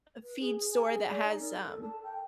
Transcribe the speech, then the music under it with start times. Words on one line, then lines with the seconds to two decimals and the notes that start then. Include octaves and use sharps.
a feed store that has, um,
0.23 B4
0.40 G#4
0.56 G#4
0.72 G#5
0.89 G#4
1.06 D5
1.24 D#4
1.39 A#4
1.68 A4
1.82 A5
2.03 G5